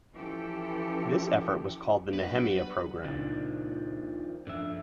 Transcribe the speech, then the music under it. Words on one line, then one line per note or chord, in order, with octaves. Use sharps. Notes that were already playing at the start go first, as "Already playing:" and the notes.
This effort was called the Nehemiah Program.
E3 F3 C#4 G4 A4
F#3 G3 B3 D4 F#4 B4
C#2 A#2 D#3 F3 D4
G2 D3 F3 E5